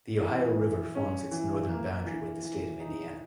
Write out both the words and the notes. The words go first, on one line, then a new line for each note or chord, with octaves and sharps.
The Ohio River forms its northern boundary with the state of Indiana.
E3
E3
C#4
E3
A#3
E3
E3
D#4